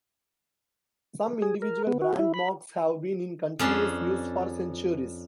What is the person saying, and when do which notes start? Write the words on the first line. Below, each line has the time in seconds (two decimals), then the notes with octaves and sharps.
Some individual brand marks have been in continuous use for centuries.
1.42 G#4
1.62 A#4
1.87 B3
2.02 F#4
2.19 E4
2.34 B5
3.59 F2 C#4 D4 C6